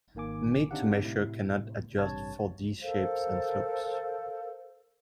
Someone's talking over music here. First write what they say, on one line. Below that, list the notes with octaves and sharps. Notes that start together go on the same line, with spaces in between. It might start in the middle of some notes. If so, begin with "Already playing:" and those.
Made-to-measure cannot adjust for these shapes and slopes.
G#1 D#3 A#3 G#5 D6
C4 D4 D#4 G4 F5 F#5
A2 C3 E4
A1 G2 C3 C#5 A5 G#6
A4 A#4 C5 F5